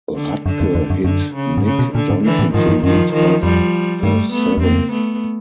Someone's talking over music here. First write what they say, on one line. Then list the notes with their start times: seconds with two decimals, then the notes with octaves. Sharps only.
Radke hit Nick Johnson to lead off the seventh.
0.15 D3
0.45 F#2 D3
0.60 F2
0.75 F2
0.90 F#2
1.04 F#2 D3
1.35 C#3
1.58 G#2
1.64 G2 C#3
1.79 B2
1.95 A#2 D3
2.10 G#2
2.24 D3 E3
2.39 A2
2.53 G#2 D#3 F3
2.68 G2
2.83 F#2 D#3 F3
3.14 D#3 F3
3.43 F2 F3 G3
4.03 G2 G3 A3
4.32 A3 B3
4.58 E2
4.62 F2 A#3 C4
4.92 A3 B3